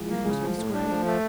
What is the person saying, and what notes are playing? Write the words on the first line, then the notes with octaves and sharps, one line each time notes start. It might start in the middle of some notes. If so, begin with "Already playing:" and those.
"And Miss Grey?"
Already playing: F3 G#3 E4 F4 G#4
A#3
C#3 G#3 G#4
F3
A2 A3 A4
D4
F3
A3